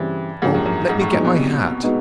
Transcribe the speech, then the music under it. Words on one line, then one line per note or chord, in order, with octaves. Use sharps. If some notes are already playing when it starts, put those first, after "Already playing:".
"Oh--let me get my hat!"
Already playing: G2 C#3 E3 G3 C4
G#2 F3 A#3 D4 G4
F#2
F#2
G#2
A2
A#2 F#3 B3 D#4 G#4
B2
C3
G#3 B3 D#4 F#4